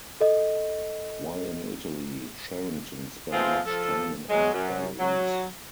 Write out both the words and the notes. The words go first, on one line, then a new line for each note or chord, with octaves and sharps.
While in Italy, Sherrington spent much time in art galleries.
A4 D#5
F3 G#3 A3 B3 C4 F4
F3 A4
F#3 G#3
F#2
F#3